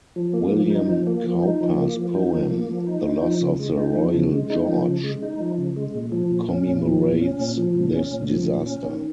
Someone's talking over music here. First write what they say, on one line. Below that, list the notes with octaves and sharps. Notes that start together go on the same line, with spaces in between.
William Cowper's poem, the "Loss of the Royal George", commemorates this disaster.
F3
A#3
F3
D#4
F3
A#3
F3
D#4
F3
A#3
F3
D#4
F3
A#3
F3
D#4
D#4
F3
C#3
G#3
D#4
F3
C#3
G#3
D#4
F3
C#3
G#3
D#4
F3
C#3
G#3
A#2
F3
A#2
C#4
A#2
F3
A#2
C#4
A#2
F3
A#2
C#4
A#2
F3
A#2
C#4
D#3